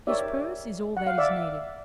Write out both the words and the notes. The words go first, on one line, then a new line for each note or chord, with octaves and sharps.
His purse is all that is needed.
D#4 G4 A#4 C#5 D5 E5
F#5
F5
D5 E5